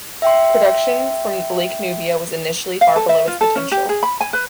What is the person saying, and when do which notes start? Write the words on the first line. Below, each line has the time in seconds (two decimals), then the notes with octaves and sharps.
Production from Lake Nubia was initially far below its potential.
0.22 E5 G5 C6
2.81 F5
2.96 A4
3.09 E5
3.27 F4
3.41 A4
3.55 C#4
3.72 G4
3.89 G#4
4.03 B5
4.21 G#5
4.33 B4